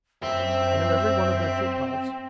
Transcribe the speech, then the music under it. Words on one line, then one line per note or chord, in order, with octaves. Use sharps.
I know every one of their footpaths ...
F#2 C4 C5 E5